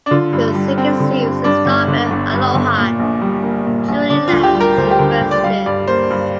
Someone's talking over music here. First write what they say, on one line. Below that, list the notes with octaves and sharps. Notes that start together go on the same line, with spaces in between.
The second series installment, "Aloha, Julie Lang," reversed this.
D4
D3 F4
G2
G3
C4
D3
G2
G2 D4
G1
D3
G1
G2
G1
A#2
A#1
G3
A#3
A#2
A#1
D3 D4
F4
D2
G4
G3
A#4
D2 C5
G4
D3 A#4
D2
D5
G3 F5
G2 D5
A#3 C5
G2